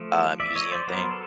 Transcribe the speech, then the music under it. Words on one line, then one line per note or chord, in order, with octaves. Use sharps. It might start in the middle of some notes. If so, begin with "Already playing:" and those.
uh, museum thing?
Already playing: F3 A3
D5 E5
C#5 D#5
C5 D5
F#3 B3 A#4 C5
A4